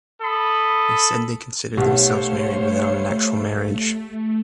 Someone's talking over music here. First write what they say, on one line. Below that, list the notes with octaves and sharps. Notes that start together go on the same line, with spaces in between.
They said they considered themselves married without an actual marriage.
A4 B5 D#6
B1 A3 G4 C5 C#5 F5 F#5